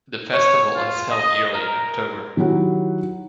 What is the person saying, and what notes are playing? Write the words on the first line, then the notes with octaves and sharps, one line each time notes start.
The festival is held yearly in October.
C#5
F4
D#5
A#4
D#3 F#3 E4 G4 F#5